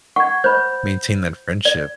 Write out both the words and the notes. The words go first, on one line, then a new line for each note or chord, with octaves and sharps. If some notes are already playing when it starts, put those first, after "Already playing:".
maintain that friendship.
F#5 C#6 G#6
C5 B5 G6
D5